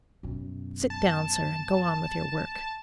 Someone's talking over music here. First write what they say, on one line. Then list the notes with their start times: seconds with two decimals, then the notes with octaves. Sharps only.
"Sit down, sir, and go on with your work."
0.23 F#2 B2
0.90 A5